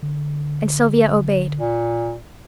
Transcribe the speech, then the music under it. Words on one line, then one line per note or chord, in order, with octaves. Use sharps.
And Sylvia obeyed.
D3
A#2